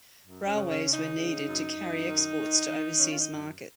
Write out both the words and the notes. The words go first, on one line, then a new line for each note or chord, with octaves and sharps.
Railways were needed to carry exports to overseas markets.
F#2
C#4
C#3
C#4
C#3
D#4
C#3
F#2
F#2
D#3
D#3
D#3
D#3 C#4
F4
D#4
F#2